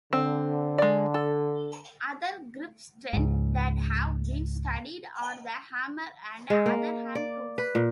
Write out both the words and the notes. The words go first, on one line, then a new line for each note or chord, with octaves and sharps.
Other grip strengths that have been studied are the hammer and other hand tools.
D3 C4
G#3 D5
A4
C#2 G#2
G#3
A#3
D5
B4
A#2